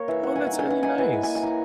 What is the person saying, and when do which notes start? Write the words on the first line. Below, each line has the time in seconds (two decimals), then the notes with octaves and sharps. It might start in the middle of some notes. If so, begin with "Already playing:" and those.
Oh, that's really nice.
Already playing: A#3 A#4 C#5
0.08 E3 E5
0.23 E3 F#5
0.36 E3 G#5
0.47 F#5
0.53 D#4
0.59 G#5
0.68 E3 F#5
0.82 D#4 G#5
0.98 E3
1.13 E3
1.23 A#3 G#5
1.35 G#5
1.43 E4 A#5